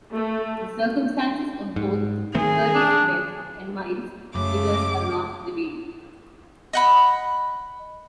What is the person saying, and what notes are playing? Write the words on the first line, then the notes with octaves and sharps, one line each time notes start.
The circumstances of both Ferdy's death and Miles' divorce are not revealed.
A3
G#2
D#3 A3 C4 G#4
D4
F#2 C#3 A3 D6
D#5 F#5 B5